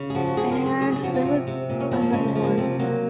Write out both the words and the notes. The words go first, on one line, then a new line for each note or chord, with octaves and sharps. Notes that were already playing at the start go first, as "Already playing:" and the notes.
And there was another one
Already playing: C#3
G#4
F3 F#4
F#4
C#3 G#4
A#4
F#3
G#4
C#3 G#4
G#4
F3 F#4
F4
C3
C3
A#2
C#4
F3 C4
A#3
C#3 G#3
G#3
F3
A#3
C3 C4
F#3 A#3